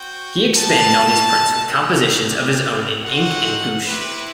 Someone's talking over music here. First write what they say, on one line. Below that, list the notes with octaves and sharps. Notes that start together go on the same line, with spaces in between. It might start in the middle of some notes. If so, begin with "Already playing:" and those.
He expanded on these prints with compositions of his own in ink and gouache.
Already playing: C4 F#4 G5
G3 B3 D#4 A5
A3 D#4 F#4
G5
G3 C4 E4 G4 G5
A3 C4 D#4 F#4 F#5
C4 E4 G4 B4